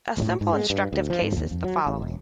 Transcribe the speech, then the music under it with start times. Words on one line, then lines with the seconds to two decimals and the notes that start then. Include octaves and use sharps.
A simple instructive case is the following.
0.22 A2
0.41 G#2
0.53 G#3
0.70 G2
0.93 D2
1.10 F3
1.22 G#2
1.37 D#2
1.51 F2
1.64 F#3
1.87 A1
2.02 E1